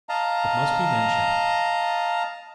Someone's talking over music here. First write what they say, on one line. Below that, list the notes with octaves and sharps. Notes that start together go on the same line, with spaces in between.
'It must be mentioned.
D#5 F5 A5 A#5